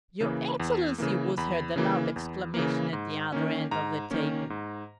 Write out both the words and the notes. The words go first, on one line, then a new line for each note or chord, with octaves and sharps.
"Your Excellency!" was heard a loud exclamation at the other end of the table.
C#3 E3 A#3
E2
C#3 E3 A#3
E2 B5
C#3 E3 A#3
E2
C#3 E3 A#3
G#2
D#3 A#3 C#4
G#2 A#5
D#3 A#3 C#4
G#2